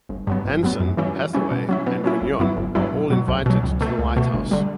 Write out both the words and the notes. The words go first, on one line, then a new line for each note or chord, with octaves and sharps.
Hanson, Hathaway and Runyon are all invited to the White House.
G1
G2 F#3 B3
G1
G2 F#3 B3
F#2
E3 G3 C#4 E4
F#2
E3 G3 C#4 E4
B2
F#3 C#4 E4
B2
F#3 C#4 E4
G1
G2 F#3 B3 E4
G1
G2 F#3 B3 E4
B1
B2 F#3
B1
B2 F#3
C#2
B2 A3
C#2
B2 A3
G1
D3 G3